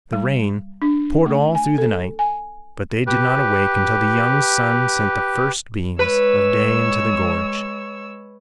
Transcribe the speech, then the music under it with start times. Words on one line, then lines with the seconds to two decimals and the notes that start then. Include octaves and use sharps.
The rain poured all through the night, but they did not awake until the young sun sent the first beams of day into the gorge.
0.13 G3
0.82 D4
1.26 A3
1.55 G#5
1.78 A4
2.19 G#5
3.07 G4 B4
5.99 G#3 B4 C#5 E6